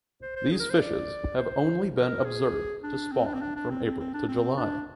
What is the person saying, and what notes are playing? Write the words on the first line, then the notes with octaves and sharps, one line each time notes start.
These fishes have only been observed to spawn from April to July.
C5
C5
G#4
A#4
C5
D5
C5
A#4
G#4
D4
C4
D4
C4
D4
D4
C4
C4
C4
D4
C4
D4